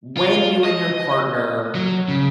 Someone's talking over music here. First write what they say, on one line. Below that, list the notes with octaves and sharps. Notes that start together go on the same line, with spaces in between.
when you and your partner
F4
D#5
F#3
C#3